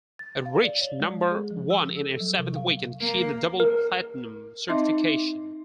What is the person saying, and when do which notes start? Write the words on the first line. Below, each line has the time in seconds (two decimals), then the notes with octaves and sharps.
It reached number one in its seventh week and achieved double platinum certification.
0.19 A6
0.46 F5
0.64 D5
0.81 C#5
1.00 G#3
1.31 G#4
1.51 F3
1.70 E6
2.01 A4
2.20 F#3
2.39 C3
2.56 F5
3.01 A#3
3.60 A#4
4.69 C4 D#4 D#5 E5 C6 D6